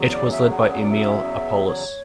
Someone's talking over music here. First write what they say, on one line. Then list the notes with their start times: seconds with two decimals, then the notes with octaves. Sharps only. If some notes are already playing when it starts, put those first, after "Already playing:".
It was led by Emil Appolus.
Already playing: E2 C#3 F#3
0.13 D5
0.32 E5
0.51 F#5
0.70 F#5
0.82 D5
0.90 E5
1.67 C#5